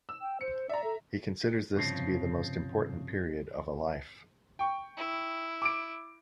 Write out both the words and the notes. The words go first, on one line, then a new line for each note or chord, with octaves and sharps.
He considers this to be the most important period of a life.
E6
G5
C5 C#7
D5 E5 A#5
A4
C2 G2 C#3 F3 C4
G5 C#6
E4
D6 D7